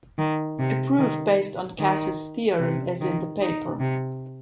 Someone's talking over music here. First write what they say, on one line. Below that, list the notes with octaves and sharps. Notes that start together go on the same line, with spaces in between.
A proof based on Casey's theorem is in the paper.
D#3
C3
D#3
D#3
C3
D#3
D#4
C3